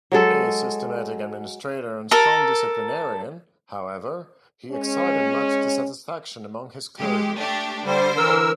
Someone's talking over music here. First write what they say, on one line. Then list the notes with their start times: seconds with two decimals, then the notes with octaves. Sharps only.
A systematic administrator and strong disciplinarian, however, he excited much dissatisfaction among his clergy.
0.12 F#3 G#3 A4
2.11 A4 A#4
4.72 G#3 C#4
6.98 G#3 G4
7.36 A3 D4 G4
7.85 D3 G3 C5
8.17 E3 A#4 E6